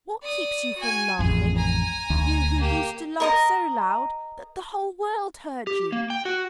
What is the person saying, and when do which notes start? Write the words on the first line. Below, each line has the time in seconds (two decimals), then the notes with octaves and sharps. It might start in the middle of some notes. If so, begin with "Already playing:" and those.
"What keeps you from laughing, you who used to laugh so loud that the whole world heard you?"
0.22 D5 D#6
0.76 F#4 G#5
1.19 A1 F2 G#4
1.56 G#5 A#5
2.10 D2
2.60 A#3 G4
3.20 A#4 D#5 A#5
5.67 G4
5.92 A#3
6.10 G5
6.25 F#4